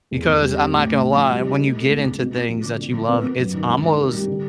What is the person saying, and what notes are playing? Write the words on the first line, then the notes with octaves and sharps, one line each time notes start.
Because I'm not gonna lie, when you get into things that you love, it's almost
E2
E2
G3
C4
A2
A2
C4
F3
G3
D#4
A3
A3
C#2
C#2
B2
B2
F3
D3
D3
F3
B3
B3
F#2
D#3
C#2
D#3
C3
G3
D3